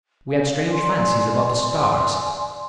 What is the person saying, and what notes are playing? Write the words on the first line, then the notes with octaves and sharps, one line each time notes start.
We had strange fancies about the stars.
C#4 F5 G#5
D5 G#5 C6